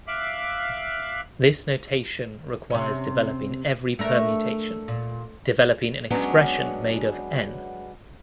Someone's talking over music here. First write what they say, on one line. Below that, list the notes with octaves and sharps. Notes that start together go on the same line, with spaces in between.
This notation requires developing every permutation, developing an expression made of "n"!
E5 F5 D6 F#6
C3 C#4
A3 D4 A#4
A#2
F#3 G#3 B3 C#4 D4